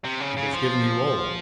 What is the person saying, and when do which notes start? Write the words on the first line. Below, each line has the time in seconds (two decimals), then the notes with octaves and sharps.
She has given you all.
0.05 C3
0.21 C#3
0.37 C#3
0.54 F3